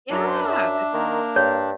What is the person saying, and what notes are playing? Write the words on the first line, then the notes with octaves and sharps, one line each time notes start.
Yeah, there's
F#2 F#3 D4
E5
D#3 A#3
G2 C#5